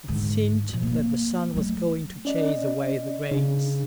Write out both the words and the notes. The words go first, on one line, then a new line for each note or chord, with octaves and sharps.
It seemed that the sun was going to chase away the greyness.
G#2 D3
B2 F3
A#3 C4
F#3 A3
C#4 D5 D#5
C#3 D4